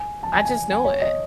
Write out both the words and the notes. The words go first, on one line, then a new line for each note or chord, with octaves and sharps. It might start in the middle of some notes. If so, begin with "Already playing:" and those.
I just know it.
Already playing: G#5
A5
G#5
G#5
G#5
C#5
D#5